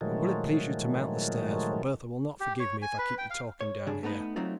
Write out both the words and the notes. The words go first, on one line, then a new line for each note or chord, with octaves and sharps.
But will it please you to mount the stairs, for Bertha will not forgive me if I keep you talking down here.
A#2 D#3 F3 F#3 G#3 A3
G4
C#5
G#5
B4
G5
F5
C#5
C#3 D4 G#4
A3 B3 D#4 B4
F#3 A3 C4 D#4 F4